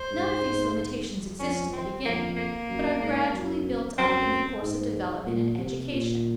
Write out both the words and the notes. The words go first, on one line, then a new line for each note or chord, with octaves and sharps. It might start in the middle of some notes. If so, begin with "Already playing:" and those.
None of these limitations exist in the beginning, but are gradually built up in the course of development and education.
Already playing: C5
G#2
F2 C#4
C4
F2 A#3
A#3
F#2
G#2
F#2
F#2 C4
G#2
A#2
C3
A#2